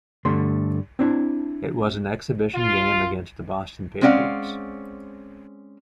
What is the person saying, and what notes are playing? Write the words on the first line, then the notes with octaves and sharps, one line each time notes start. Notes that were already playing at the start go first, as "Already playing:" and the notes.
It was an exhibition game against the Boston Patriots.
G2 D3 A3 C6
C4 D4 E4
F4
G#3 C4 C#4 D5 F5 F#5